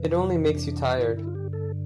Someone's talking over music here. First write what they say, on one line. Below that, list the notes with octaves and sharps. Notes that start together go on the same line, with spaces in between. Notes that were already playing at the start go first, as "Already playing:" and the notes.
It only makes you tired.
Already playing: F2 C3 E3
F4
D4
G2 D3 E4
E4
F4
G4
A4